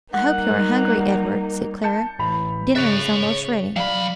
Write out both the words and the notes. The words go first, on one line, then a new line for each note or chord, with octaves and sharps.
"I hope you are hungry, Edward," said Clara; "dinner is almost ready."
G3 A#3 D#4 F#5
A5 G6 C#7
A1 B5 F7
C#3 C#5 E5 F#6 A6
F#3 D5 F5 B5